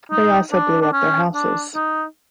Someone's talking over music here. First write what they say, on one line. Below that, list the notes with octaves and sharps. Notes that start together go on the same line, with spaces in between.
They also blew up their houses.
D#4
D4
D4
C#4
D4
D#4